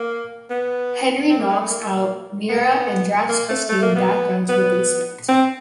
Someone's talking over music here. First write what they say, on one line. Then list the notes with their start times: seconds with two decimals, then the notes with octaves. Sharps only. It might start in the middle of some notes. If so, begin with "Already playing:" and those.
Henry knocks out Meera and drags Christine back down to the basement.
Already playing: A#3
0.50 B3
1.30 C4
1.40 A#3
1.50 G#3
1.59 A3
1.70 A#3
2.49 B3
3.29 A#3
3.49 A3
3.69 A3
3.82 A#3
3.96 B3
4.49 B3
5.28 C4